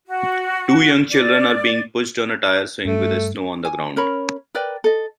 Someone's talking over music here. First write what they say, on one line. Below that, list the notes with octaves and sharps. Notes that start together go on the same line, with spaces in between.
Two young children are being pushed on a tire swing with snow on the ground.
F#4
D5
G2 A3
G#5
C#4 A#4 C#5 B5
A#4 B4 D5 G5
A4 D#5